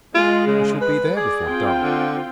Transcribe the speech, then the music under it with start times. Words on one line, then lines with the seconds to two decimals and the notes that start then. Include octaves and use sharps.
'We shall be there before dark.'
0.14 G#3 F4
0.47 C#3
0.81 B4
1.16 G#4 D5
1.47 C4 F4 G5
1.81 D3